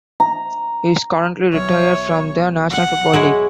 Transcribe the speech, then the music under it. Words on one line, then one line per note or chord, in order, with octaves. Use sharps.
He is currently retired from the National Football League.
A#5
B1 C#5 E5 F6
F#5
F#3 G#3 E4 G6 G#6